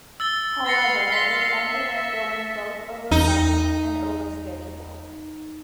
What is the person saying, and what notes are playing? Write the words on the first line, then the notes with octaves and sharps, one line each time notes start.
However, it ended up going both over budget and over schedule.
E6 A6 G7
F5 C6 A6 A#6 C#7
B6
E5
E2 D#4